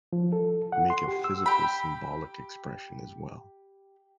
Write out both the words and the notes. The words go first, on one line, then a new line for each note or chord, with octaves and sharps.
make a physical symbolic expression as well?
F3
A4
F#5
C6
G4
E6
G4 B5